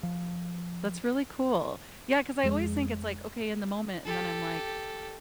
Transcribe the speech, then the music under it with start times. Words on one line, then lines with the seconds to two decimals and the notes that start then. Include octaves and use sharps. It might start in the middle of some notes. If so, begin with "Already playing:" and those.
that's really cool yeah, 'cause I always think it's, like, okay in the moment, and then I'm, like,
0.03 F3
2.43 F2 G#3
4.05 G4 A4